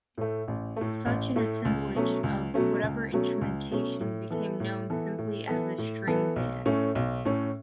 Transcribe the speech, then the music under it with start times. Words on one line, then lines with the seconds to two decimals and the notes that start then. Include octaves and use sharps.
Such an assemblage, of whatever instrumentation, became known simply as a string band.
0.18 A2 A3
0.48 A1
0.76 A2 A3
1.06 A1
1.36 A2 A3
1.65 C#2
1.95 B2 F#3 A3 C#4
2.23 C#2
2.54 B2 F#3 A3 C#4
2.83 C#2
3.13 B2 F#3 A3 C#4
3.41 C#2
3.71 B2 F#3 A3 C#4
4.01 A2
4.30 E3 B3 A4
4.60 A2
4.90 E3 B3 A4
5.18 A2
5.48 E3 B3 A4
5.78 A2
6.07 E3 B3 A4
6.36 B1
6.65 A2 A3 C#4
6.95 B1
7.25 A2 A3 C#4